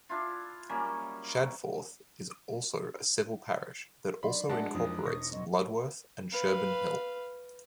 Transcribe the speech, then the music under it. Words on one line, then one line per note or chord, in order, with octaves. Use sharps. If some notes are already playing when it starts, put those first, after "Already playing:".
Shadforth is also a civil parish that also incorporates Ludworth and Sherburn Hill.
D4 E4 F4
F#3 G3 A#3 C#4
F#3 D4 D#4 D5 B5 C6
F#3 G#3 D4 A#4 D#5 E5 F#5 A5
F2 D#4 D#6
E1 C#6 D#6 A#6
F#3 C4 D#5
B4 F5